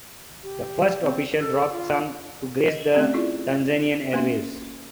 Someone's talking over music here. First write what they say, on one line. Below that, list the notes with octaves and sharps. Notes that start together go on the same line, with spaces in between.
The first official rap song to grace the Tanzanian airwaves.
G4
C4
A4
F4
D#5
A3 C4 C#4 G4 A#5
E4 F4 G#4 D5
A#3 C#4 E5 C6